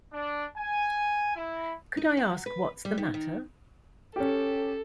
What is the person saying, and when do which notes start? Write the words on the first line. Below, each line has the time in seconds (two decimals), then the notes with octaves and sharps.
Could I ask what's the matter?
0.12 D4
0.57 G#5
1.34 E4
1.97 D#4
2.17 F#3
2.46 B4
2.85 G3
2.98 D#3
3.14 D#3
4.16 C#4 G4 A4